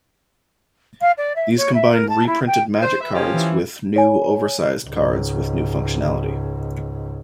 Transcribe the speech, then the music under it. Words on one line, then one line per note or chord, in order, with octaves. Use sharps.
These combine reprinted "Magic" cards with new, oversize cards with new functionality.
F5
D5
E5
C#5
E5
A#4
A5
E4
G5
C5
B4 E5
F3 C#4 G4
E3
C#5 G#5
C#2 G#2